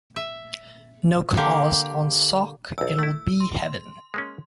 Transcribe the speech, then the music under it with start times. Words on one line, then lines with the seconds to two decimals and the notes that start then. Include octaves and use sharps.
No cars on Sark, it'll be heaven.
0.16 E5
1.37 D3 A#3 G4
2.78 B1 E2 E6
2.99 A3 E4
3.40 C6
4.14 G#3 A#3 C#4